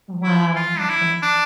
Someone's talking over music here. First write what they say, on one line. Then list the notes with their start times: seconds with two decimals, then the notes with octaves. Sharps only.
Wow, okay.
0.24 E4
0.56 F4
0.79 D4
0.89 E4
1.22 D4